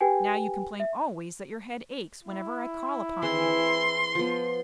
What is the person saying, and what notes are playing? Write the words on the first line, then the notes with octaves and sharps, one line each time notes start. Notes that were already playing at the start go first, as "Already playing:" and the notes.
Now you complain always that your head aches whenever I call upon you.
G4 B4 G5 G#5
E5
E4
E3 C4 G#4 C6
F3 B3